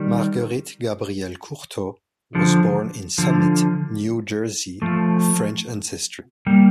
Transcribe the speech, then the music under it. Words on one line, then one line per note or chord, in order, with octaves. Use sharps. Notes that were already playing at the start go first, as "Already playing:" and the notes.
Marguerite Gabrielle Courtot was born in Summit, New Jersey of French ancestry.
Already playing: D#3 G3
D3 F3
D3 F3
F3 A3
G3 A#3